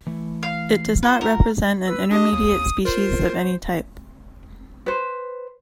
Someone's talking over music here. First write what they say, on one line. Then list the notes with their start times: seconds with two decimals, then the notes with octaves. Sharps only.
It does not represent an intermediate species of any type.
0.07 E3 A3 E4
0.43 F5
1.03 F4 B4 C5 F#5
1.21 A#4
1.88 B4 E6
2.11 D4 G4 D#5 D#6
2.33 D#2
2.85 F4 A#4 C5
4.86 B4 C5